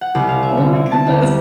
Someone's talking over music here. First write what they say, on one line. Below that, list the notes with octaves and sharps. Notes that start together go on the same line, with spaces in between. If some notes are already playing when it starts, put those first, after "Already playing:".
Oh my goodness.
F#5
C2
F5
E5
D3
E4
A5
D2
G3